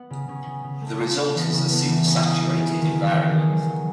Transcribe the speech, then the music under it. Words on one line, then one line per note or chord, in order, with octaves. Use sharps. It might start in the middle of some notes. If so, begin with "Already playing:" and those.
The result is a supersaturated environment.
Already playing: B3
C#3
C#3 C#4
C#3
C#3
A3
A3
A3
E3 B3
C#3 C#4
A3 B3
E3 B3
C#3 C#4
C#3 D#4
E3 F#4
C#3 G#4
D#3 B4
D#3 B4
D#3 A4
D#3 G#4
F#3
F#3